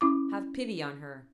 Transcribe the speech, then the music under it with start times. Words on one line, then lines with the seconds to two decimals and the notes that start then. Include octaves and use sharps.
Have pity on her.
0.01 C#4 E4 D6